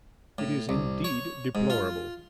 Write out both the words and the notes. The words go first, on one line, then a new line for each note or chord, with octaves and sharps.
It is indeed deplorable.
A2
C2
C#5
G#2
F4